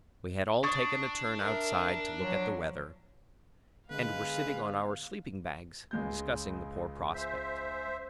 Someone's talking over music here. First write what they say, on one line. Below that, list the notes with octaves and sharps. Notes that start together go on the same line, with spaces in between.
We had all taken a turn outside to look at the weather, and were sitting on our sleeping-bags discussing the poor prospect.
D4 C#6 D#6 A6
A#4 E5
F3 F#3
D3 G#3 B3 B4 F5
C#2 C#3 G#3 G6
C5 E5